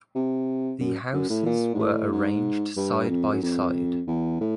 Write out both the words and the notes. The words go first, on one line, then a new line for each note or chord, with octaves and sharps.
The houses were arranged side by side.
C3
F#2
F#2
A2
A#2
G#2
A2
G#2
G2
F2
F#2
F2
E2
A2